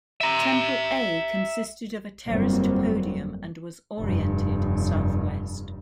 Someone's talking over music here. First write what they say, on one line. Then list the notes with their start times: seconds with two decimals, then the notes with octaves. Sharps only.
Temple A consisted of a terraced podium and was oriented southwest.
0.21 E5 A#5
2.28 G1 F2 F#3 G3 A#3 C4
3.99 F1 G2